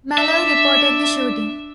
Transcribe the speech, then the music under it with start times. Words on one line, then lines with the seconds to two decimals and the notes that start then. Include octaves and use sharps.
Molloy reported the shooting.
0.18 D4 E5